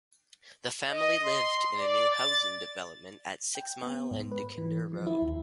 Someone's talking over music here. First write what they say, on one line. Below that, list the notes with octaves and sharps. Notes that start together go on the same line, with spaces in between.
The family lived in a new housing development at Six Mile and Dequindre Road.
D#5
C6
D5
A6
G5
B3
G#2
B4
E3
F3
E4
D#2